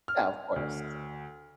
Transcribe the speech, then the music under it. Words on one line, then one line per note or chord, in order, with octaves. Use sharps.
Yeah, of course.
F6
D2